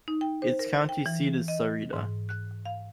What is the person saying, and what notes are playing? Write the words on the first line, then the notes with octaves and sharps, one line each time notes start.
Its county seat is Sarita.
D#4
G5
C5
A#4
G5
E3
D#5
G#2
F#6
F5